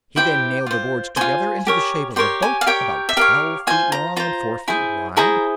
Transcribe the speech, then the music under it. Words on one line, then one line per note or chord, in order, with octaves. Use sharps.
He then nailed the boards together into the shape of a boat, about twelve feet long and four feet wide.
E4 G4 C5 G5
F4 C5
F4 C5 G#5
G4 A#4 C#5
G4 A#4 C#5 C6
G#5
F5
G4 A#4 C#5 G5
E5
G4 A#4 C#5 F5
F4 C5 G#5
A#5
F4 C5 A#5
E4 G#4 C5
E4 G#4 C5 A#5